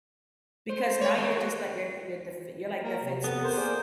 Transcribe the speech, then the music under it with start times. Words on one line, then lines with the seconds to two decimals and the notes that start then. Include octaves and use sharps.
Because now you're just let your your defe you're, like, defenseless.
0.69 C5
1.01 C#5
1.18 G#3
1.37 F#4
2.84 A#3
3.03 C3
3.24 B3 A4
3.44 A#4 C5
3.57 A#3 G#4 D5